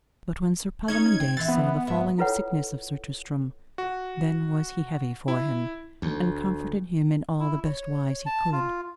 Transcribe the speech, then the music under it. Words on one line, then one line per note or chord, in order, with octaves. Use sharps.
But when Sir Palomides saw the falling of sickness of Sir Tristram, then was he heavy for him, and comforted him in all the best wise he could.
C#4 D#4 G#6
C4
E3 C4 E5 A6
B3
G#2 E5
E4 F4 A4 B4 C#5 F#5
F#4
E4
D2
E4
C#5
A5
F4